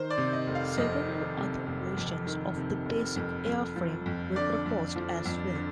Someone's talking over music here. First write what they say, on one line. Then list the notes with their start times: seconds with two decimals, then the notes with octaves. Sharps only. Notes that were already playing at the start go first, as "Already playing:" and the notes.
Several other versions of the basic airframe were proposed as well.
Already playing: D#3 C5
0.10 D5
0.18 C3
0.33 D#5
0.47 F1
0.55 F5
0.77 F2 D#5
1.07 D#3
1.37 C3
1.67 F1
1.97 F2
2.27 D#3
2.57 C3
2.86 F1
3.16 F2
3.46 F2
3.76 F3
4.06 F2
4.36 D3 D5
4.66 F2
4.96 F3
5.26 F2
5.55 D3